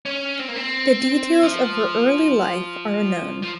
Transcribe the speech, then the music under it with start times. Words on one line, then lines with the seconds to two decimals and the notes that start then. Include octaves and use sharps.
The details of her early life are unknown.
0.06 C#4
0.39 C4
0.49 A#3
0.56 C4
1.43 F3
3.43 F3